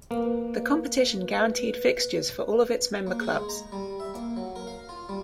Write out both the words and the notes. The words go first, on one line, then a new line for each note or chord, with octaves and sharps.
The competition guaranteed fixtures for all of its member clubs.
A#3 B4
A#3
G#4
G#3
A#5
G3
E5
A#3
F#3
A#4
F5
F4
G3